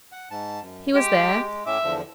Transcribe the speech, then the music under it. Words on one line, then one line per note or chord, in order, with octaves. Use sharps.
He was there?
F#5
G#2 A5
F#2
G#3 G4
A2 C#4 E5 D6
E2 D3 F3